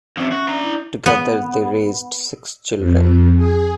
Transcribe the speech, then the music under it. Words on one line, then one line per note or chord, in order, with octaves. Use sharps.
Together they raised six children.
F2 C3 C#4 E5
F#4
D4 A#5
E4
B3
F2
G#4